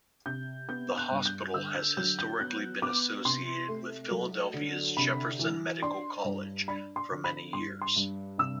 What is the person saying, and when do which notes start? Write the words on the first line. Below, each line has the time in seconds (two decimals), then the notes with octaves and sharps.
The hospital has historically been associated with Philadelphia's Jefferson Medical College for many years.
0.26 C3 G6
0.68 B3 G6
0.97 F#6
1.11 G2
1.26 G6
1.54 D3 E6
1.75 G6
1.97 F#3 G6
2.19 G6
2.40 B3 F#6
2.82 B3 D6
3.25 C3 C6
3.68 A3
4.11 F#3
4.54 D3
4.97 C3 B5
5.39 E3
5.82 D4 C6
6.24 G2
6.68 D4 B5
6.96 C6
7.11 D3
7.24 B5
7.53 G2 C6
7.82 C6
7.96 G2
8.38 C3 E6